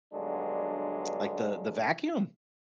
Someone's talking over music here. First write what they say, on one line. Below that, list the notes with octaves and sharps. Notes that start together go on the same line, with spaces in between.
Like the the vacuum?
B1 G2 D3 F#3 G#3 D4